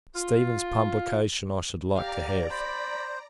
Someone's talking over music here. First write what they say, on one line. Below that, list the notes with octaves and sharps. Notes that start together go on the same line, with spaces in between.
Stephens's publication I should like to have.
F4
G4 D5 F5 A#5
C5 B5